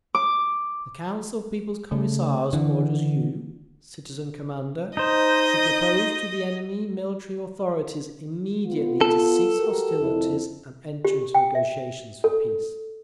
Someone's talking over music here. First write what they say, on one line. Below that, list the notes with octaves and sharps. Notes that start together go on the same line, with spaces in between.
The Council of People's Commissars orders you, Citizen Commander,... to propose to the enemy military authorities immediately to cease hostilities, and enter into negotiations for peace.
D6
C#3 A3
D3 E3
D#4 C5 D#5
B3 F4
A4
F#4 G4 A#4
F2 E4
G4
G5
E5
A4